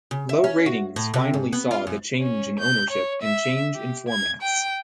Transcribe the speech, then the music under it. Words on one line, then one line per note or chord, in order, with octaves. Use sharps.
Low ratings finally saw the change in ownership and change in formats.
C#3
E5
C#4
F#4
A2
C3
G#2
B3
F4
F#2
C#4
G6
C#5
E5
G4
G#6
G5